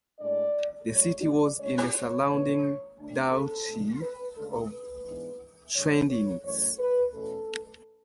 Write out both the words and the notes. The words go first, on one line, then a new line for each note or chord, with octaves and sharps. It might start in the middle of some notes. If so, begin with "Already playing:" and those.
The city was in the surrounding Duchy of Schweidnitz.
A2 G#3 D4 D5
G#2 F#3 A3 C#5
D5
C#3 G#3 C#4 C#5
C#5
A2 E3 B3 D4
D2 D3 A3 D4
A4
B2 A3 D4
B4
D2 C#3 G#3 D4 A4
B4
G#2 E3 B3 D4
F#2 D3 G#3 C#5
C#5
F#2 E3 A3 C#5
B4
E2 B2 A3 C#4 A4